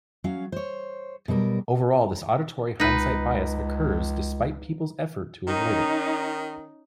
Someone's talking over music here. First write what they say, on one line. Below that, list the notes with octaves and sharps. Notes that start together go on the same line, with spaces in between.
Overall, this auditory hindsight bias occurs despite people's effort to avoid it.
F#3 C#4 F5
C5 C#5
B2 F#3 G3 A#4
C#2 D#4 B4
D#3 C#4 D#4